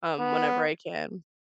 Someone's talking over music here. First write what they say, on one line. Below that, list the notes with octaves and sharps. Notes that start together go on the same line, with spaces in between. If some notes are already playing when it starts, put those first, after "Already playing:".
um, whenever I can.
B3